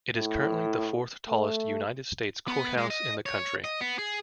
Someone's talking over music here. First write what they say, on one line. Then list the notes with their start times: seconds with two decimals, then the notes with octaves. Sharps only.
It is currently the fourth tallest United States courthouse in the country.
0.16 A2
1.28 A3
2.48 B3
2.78 G#3
2.90 D#5
3.26 C#5
3.64 D#5
3.81 B3
3.99 G#4